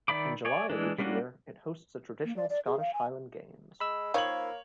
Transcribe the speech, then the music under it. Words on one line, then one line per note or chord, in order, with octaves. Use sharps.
In July of each year it hosts a traditional Scottish Highland Games.
D#3 D5 E5 B5 D6
C#5 D5 G#5
E3 G#3 D4
G3 A#3 C#4 D4 F#4
A#3
D5
D5
G#4
F5
G#5
G#3 B5 E6
D#3 F3 A#3 C#5 F5 G#6 F#7